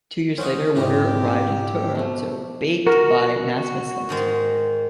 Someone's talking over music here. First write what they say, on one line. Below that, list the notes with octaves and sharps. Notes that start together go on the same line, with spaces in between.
Two years later, Wonder arrived in Toronto, baked by Nasmiths Limited.
F3 C#4 F#4 B4 C5 D#5
F2 G#2 D3 E3 G4
B2 F3 A3
F#4 A#4
G#2 D#3 G#3